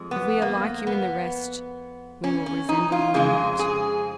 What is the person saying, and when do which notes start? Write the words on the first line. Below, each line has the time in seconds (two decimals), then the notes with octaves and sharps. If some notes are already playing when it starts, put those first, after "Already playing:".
If we are like you in the rest, we will resemble you in that.
Already playing: F2 G#3
0.11 B3
0.42 A#3
0.87 B3
2.24 C#4
2.46 C#4
2.69 D#4
2.92 F4
3.14 F2 C#3 G#3 G#4
3.59 G#4